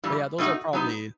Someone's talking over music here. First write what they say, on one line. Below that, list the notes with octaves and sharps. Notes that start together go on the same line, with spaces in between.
But yeah, those are probably
G2 E3 G3
B2 A3 D#4 F#4
F#3 B3 D#4